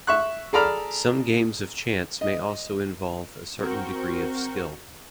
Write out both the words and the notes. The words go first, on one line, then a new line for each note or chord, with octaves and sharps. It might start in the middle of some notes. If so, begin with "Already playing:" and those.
Some games of chance may also involve a certain degree of skill.
E5 C#6 F#6
G#4 A4 D5 A#5 B5 F6
D#5
C4 F#4 A#4 C#6 G6